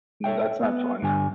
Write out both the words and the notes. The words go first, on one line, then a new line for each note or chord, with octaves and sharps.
that's not fun.
A4 C#5 E5 G5
B3
G2 D3 G3 G#5